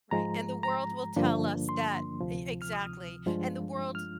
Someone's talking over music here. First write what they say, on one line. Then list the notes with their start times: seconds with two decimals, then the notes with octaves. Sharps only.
Right, and the world will tell us that e exactly, and the world
0.11 G#2 F3 G#3 A#5
0.63 A#5
1.16 G2 D3 F3 A#3 D4
1.69 C6
2.21 D2 C3 F3
2.62 F6
2.73 D#6
3.26 G2 F3 G#3 D4 F4
3.95 F6